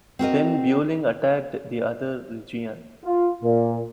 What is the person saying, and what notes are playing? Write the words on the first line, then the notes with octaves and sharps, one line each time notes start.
Then Beurling attacked the other Reggiane.
C4 F#4 A#4 D#5
F4
A#2